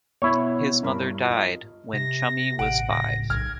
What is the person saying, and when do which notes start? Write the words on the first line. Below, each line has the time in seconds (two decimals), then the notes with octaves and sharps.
His mother died when 'Chummy' was five.
0.22 B2 B3 E4 C#5
0.83 G2 A#4 B5
1.22 F4 D#5
1.93 C3 A#6
2.59 A1 F#5 D7
2.90 D1 A2 C#3 A#6
3.30 B1 F6 G#6